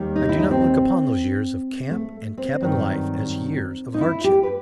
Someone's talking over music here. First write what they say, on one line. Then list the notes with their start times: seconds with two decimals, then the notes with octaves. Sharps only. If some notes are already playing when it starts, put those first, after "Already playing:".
I do not look upon those years of camp and cabin life as years of hardship.
Already playing: D#2 D#3 G3
0.16 D#4
0.29 E4
0.40 D#4
0.51 C4
1.91 A3
2.38 C4
2.61 G2 D#3 F#3
3.94 D#4
4.01 E4
4.24 G4
4.43 B4